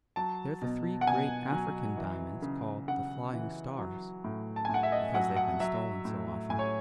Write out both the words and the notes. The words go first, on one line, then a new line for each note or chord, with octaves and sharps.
They're the three great African diamonds called 'The Flying Stars,' because they've been stolen so often.
F#3 A5
B2
F#5
B2 G#5
F#3
E3
C#3
C#3 F#5
E3
F#3
A2
A5
G#5
A2 F#5
E5
D#5
F#3 F#5
F#5
F#3 E5
A2
A2 G#5
C#5